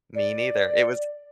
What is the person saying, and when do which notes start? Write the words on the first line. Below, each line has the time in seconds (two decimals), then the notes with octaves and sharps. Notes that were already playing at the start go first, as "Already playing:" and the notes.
me neither, it was
0.15 D5